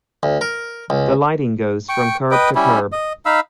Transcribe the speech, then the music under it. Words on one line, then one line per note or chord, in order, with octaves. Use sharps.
The lighting goes from curb to curb.
D2
A#4
C#2
G5 C#6
B4 D#5 G5
G3 C#4 E4
D#5
D#4 F5 B5 E6